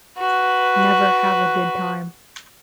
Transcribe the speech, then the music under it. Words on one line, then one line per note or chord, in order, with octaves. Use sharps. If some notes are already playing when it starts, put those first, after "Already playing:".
Never have a good time.
F#4 B4